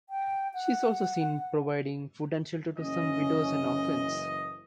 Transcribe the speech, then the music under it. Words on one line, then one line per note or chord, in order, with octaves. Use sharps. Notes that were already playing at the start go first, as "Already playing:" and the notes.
She is also seen providing food and shelter to some widows and orphans.
G5
F#5
F#1 E3 C#4 D#5